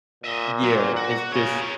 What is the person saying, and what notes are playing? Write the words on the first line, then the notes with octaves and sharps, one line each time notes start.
year is just
A#2 D#5 E5
F#3
F#4
C#3 A#4 C#5